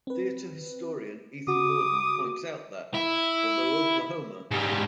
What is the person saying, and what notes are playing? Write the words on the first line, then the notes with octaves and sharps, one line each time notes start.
Theater historian Ethan Mordden points out that, although Oklahoma!
C4 B4
C#3 F#4 D6 D#6
E4
G#2 G3